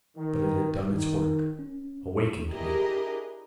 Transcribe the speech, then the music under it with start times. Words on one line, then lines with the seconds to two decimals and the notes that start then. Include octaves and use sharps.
But it had done its work--awakened me.
0.17 D#3
0.90 D#3
1.59 C#4
2.51 D4 E4 G4 G#4 A#4 D#5